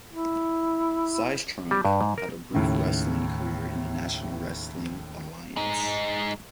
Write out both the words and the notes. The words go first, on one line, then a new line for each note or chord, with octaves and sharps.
Sistrunk had a brief wrestling career in the National Wrestling Alliance.
E4
G3
G2
G#2
A#4
D#2 A2 C#3
G#3 D#4